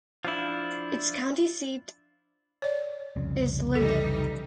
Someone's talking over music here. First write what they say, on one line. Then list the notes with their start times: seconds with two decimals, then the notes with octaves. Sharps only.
Its county seat is Linden.
0.25 F3 D4 E4 F4
2.62 C#5 D5
3.16 C2 F2 C#3
3.75 E3 G3 D#4 A4